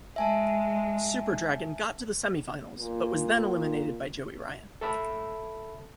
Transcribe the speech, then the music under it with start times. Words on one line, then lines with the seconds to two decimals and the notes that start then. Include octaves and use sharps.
Super Dragon got to the semifinals, but was then eliminated by Joey Ryan.
0.16 G#3 E5 G#5 A5
2.79 A#2
4.81 A4 E5 A5 B5